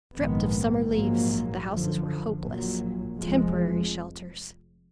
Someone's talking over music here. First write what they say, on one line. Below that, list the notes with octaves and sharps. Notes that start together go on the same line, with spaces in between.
Stripped of summer leaves the houses were hopeless--temporary shelters.
A#1 G#2 D#3 G#3 B3
A#1 G#2 F#3 A#3
F#2 D3 F3
A#1 A#2 F#3
F1 F2 F3 G#3